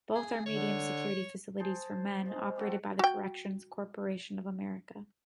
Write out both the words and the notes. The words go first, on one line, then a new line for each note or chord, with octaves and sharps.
Both are medium-security facilities for men, operated by the Corrections Corporation of America.
G#4
D3 C#5
G#4 C5 A5
F3 G#3
G3 C4 F#4 A4
F#4 G5